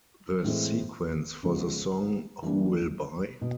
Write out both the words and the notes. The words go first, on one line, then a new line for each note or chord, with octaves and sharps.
The sequence for the song Who Will Buy?
A2 E3 G#3 C4
C#3 F3 G#3 B3
E3 G3 A#3 D4
B2